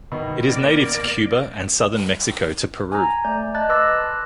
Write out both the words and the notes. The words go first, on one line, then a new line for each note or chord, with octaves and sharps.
It is native to Cuba and Southern Mexico to Peru.
B2 D#3
A#3 D5
G#5 A#5
A3 D5 G6
D#5 A5 F#6 A6
B4 C6 D6 E6 F#6 A#6